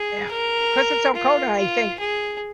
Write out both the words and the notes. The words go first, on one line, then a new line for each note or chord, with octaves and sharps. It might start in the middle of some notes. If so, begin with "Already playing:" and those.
ugh, 'cause it's so cold, and I think,
Already playing: G#4
A#4
F4
F4
G#4